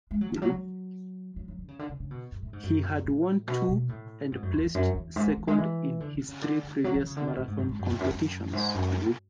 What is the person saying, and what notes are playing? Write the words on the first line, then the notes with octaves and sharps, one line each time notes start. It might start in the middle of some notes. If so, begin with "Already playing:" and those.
He had won two and placed second in his three previous marathon competitions.
G#3
F#3
E3
F#3
F#3
F#3
F#3
D3
C#3
D3
C#3
C#3
B2
F#2
A2
G#2
F#2
A2
B2
B2
A2
G#2
F#2
E2
E2
F#2
E2
G#2
E3
E3
G#3
E3
D3
D3
C#3
D3
D3
F#3
E3
C#3
D3
B2
A2
G#2
F#2
G#2
F#2
E2
F#2
F#2
G#2
F#2